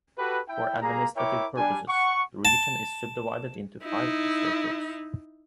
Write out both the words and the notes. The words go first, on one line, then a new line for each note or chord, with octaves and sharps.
For administrative purposes, the region is subdivided into five cercles.
F#4 G4 A4 B4
E4 G5
G3 A#3 G#4 A#5
E4 A#4 C#5 E5 G5 D6
G3 D4 G#5
F#5 C#6
A5
D#4 E4